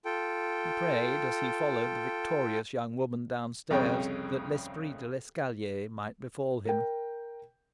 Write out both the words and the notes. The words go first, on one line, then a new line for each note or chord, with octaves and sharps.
He prayed, as he followed the victorious young woman downstairs, that l'esprit de l'escalier might befall him.
F4 A4 G5
C2 F2 C#3 C#4 G5
A#4 G5